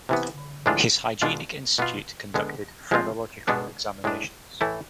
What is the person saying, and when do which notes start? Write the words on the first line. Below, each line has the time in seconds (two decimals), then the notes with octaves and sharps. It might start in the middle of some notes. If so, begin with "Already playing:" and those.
His hygienic institute conducted phrenological examinations.
0.09 C3 E3 B3
0.66 A2 E3 G#3 D4 F4
1.22 B2 G#3 D4 F4
1.78 B2 B3 F4
2.34 D3 G#3 B3
2.91 F3 G#3 C4 F4
3.48 B2 G#3 B3 D4
4.04 A2 G#3 D4
4.61 A2 E3 A3 E4